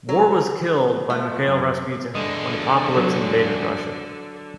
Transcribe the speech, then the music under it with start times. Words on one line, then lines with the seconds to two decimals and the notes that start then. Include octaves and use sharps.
War was killed by Mikhail Rasputin when Apocalypse invaded Russia.
0.09 F#3
1.10 F3 A3
1.48 F#2
2.15 E2 D3 G#3 D#5
2.95 F#3 A4